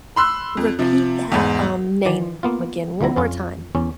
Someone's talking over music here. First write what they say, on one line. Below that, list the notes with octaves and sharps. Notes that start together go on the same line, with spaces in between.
Repeat that, um, name again one more time.
B5 C6 E6 F#6
F2
C3 F3
E2 G#2
D#3 E3 D5
A#3 B3 F4
D2 F3 G3 E4 A#5
F2 C#4 F4
E2 C#4